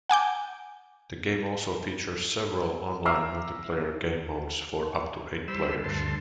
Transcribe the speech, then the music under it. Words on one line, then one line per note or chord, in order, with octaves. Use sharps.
The game also features several online multiplayer game modes for up to eight players.
F#5 G#5 D6 G6
E5 A#5 D6 E6 F6 C7
G3 C5 B5 E6
D2 G2 A5 C6